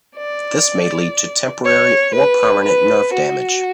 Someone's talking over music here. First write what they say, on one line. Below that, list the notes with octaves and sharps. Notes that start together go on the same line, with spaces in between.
This may lead to temporary or permanent nerve damage.
D5
C#5
B4
B4
F#4